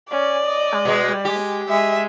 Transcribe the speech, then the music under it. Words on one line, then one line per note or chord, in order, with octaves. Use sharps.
um, but
C#4 D5
D#5
B2 G#3
G#3 G4
G#3 E5